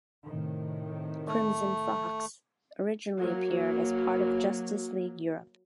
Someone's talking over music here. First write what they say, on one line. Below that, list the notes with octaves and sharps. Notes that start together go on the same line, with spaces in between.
Crimson Fox originally appeared as part of Justice League Europe.
A2 C3 D#3
A3
F#3 A#3